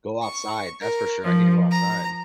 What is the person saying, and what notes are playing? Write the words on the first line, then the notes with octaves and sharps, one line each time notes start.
Go outside, that's for sure, I need to go outside.
C#6
A#4
F3
A#5